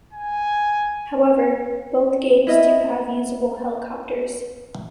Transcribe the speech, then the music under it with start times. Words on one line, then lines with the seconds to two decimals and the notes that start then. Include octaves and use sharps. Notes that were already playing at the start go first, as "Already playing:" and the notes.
However, both games do have usable helicopters.
0.13 G#5
2.47 E4 D#5 E5